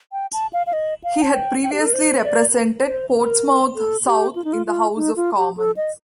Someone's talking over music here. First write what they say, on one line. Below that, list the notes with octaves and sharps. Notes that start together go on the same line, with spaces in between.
He had previously represented Portsmouth South in the House of Commons.
G5
A5
F5
F5
D#5
F5
A5
G5
G5
G4
A4
A#4
C5
D5
C5
A#4
A4
G4
F4
D#4
F4
F4
D#4
F4
G4
A4
D#5